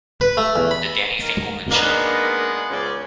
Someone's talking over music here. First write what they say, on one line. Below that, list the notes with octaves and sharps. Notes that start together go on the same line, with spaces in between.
The Danny Finkleman Show.
B4
A3
E2
B5
D#3 A#3 A#4
G#3 A#3 B3 D4 D#4 A#4 B4 F#5
C#2 C#4 C5 D5